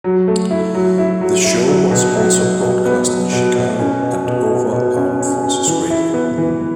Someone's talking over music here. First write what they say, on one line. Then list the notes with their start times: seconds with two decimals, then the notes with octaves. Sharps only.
The show was also broadcast in Chicago and over Armed Forces Radio.
0.04 F#3
0.28 A3
0.51 E4
0.74 F#3
0.98 E4
1.21 F#3
1.44 E4
1.68 F#3
1.91 B2
2.15 F#3
2.39 B2
2.62 B2
2.85 B3
3.08 F#3
3.33 B2
3.56 B2
3.79 C#4
4.03 B2
4.27 B2
4.49 B2
4.73 B2
4.96 C#4
5.21 C#4
5.43 C#4
5.67 E3
5.90 E4
6.14 B3
6.38 E3